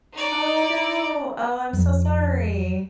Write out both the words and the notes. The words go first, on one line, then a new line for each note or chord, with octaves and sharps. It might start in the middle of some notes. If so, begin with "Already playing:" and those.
Oh no, oh, I'm so sorry.
D#4 D5
F2